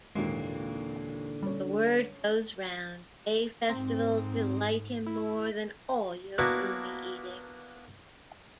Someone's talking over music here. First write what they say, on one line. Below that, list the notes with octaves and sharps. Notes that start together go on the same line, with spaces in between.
The word goes round: 'Gay festivals delight him more than all your gloomy edicts.
G#1 D#2 A#2 D3 E3 G#3 A#3
G3 C#4 D4
G#2 C4
E4
A#3 B3 D4 E4 F#4